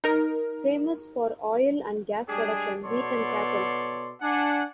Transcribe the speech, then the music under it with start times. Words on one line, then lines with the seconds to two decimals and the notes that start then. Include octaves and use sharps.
Famous for oil and gas production, wheat and cattle.
0.04 D#4 A#4
2.29 G3 G#3 D4 G4 G#4
2.84 B2 B3 A4 C#5 D5 C6
4.22 D4 F#5 G#5